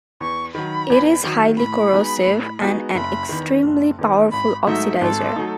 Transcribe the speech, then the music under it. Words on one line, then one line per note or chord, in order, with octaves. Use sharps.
It is highly corrosive and an extremely powerful oxidizer.
E2 C#6
D#3 F#3 B5
E2
D#3 F#3
A2 B5
G#3 B3 D#4 F#4
A2
G#3 B3 D#4 F#4
F#1 B5
E2 D#3
F#1
E2 D#3
G#1 B5
G#2 F#3 A3 D#4 E5
G#1 A4
F#3 A3 D#4